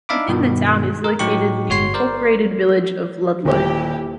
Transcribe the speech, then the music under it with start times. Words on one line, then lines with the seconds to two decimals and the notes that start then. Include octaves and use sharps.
Within the town is located the incorporated village of Ludlow.
0.09 D4 D#4 E5 F5 B5 D6
0.29 G2 B2 D#3
1.04 A#4
1.19 A2 F#3 D#4 G4 C#6
1.69 G1 F#4 C#5 C6 C7
1.94 A#4 C5 D5
3.45 D#1 E4 G4